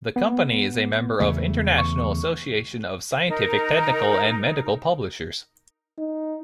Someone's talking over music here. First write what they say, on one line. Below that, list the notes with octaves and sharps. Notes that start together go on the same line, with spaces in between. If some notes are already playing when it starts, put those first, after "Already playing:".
The company is a member of International Association of Scientific, Technical, and Medical Publishers.
B3
E2 C#3 A3
C#6
D#4 A#4
D#4